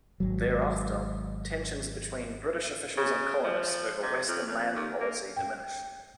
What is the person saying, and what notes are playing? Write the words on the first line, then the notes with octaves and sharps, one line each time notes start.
Thereafter, tensions between British officials and colonists over western land policy diminished.
G#1 F#3
C#3
F3
C3
F2
F2
D#2
A#3
G5